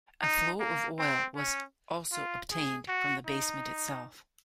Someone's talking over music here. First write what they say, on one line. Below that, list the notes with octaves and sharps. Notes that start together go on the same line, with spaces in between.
A flow of oil was also obtained from the basement itself.
D#4
A#3
C4
C#4
F4
G#4
F#4
D#4